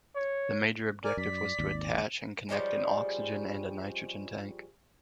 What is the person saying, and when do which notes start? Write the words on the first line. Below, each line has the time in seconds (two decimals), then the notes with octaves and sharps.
The major objective was to attach and connect an oxygen and a nitrogen tank.
0.15 C#5
1.04 A#4 D5 G#5
1.17 F#2 D5 B6
1.59 G#1 D#2
2.49 F3 G3 G#3 C#4